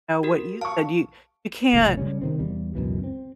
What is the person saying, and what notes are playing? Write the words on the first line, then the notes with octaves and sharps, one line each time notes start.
Know what you do you you can't
F#4 G4 A#4
F5 A5 C#6
F1 C#2 A2 C#3
C#3 G3 C#4
C3 D#3 C4
E2 G3
C#2 F#2 B2 E3
C4